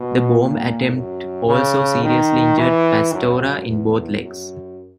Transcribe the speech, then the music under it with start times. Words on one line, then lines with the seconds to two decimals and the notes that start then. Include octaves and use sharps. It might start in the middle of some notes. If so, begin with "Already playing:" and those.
The bomb attempt also seriously injured Pastora in both legs.
Already playing: B2
0.38 A#2
0.93 F#2
1.47 C#3
2.03 D#3
2.58 E3
3.13 F#2
3.67 E2
4.22 F#2